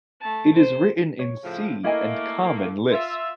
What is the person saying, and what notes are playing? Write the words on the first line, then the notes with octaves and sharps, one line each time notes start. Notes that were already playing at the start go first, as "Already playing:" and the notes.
It is written in C and Common Lisp.
A3 A5
C5
C#5
A2 C#3 F3
A3 A#3 E4 D#5 G#5
F4 E5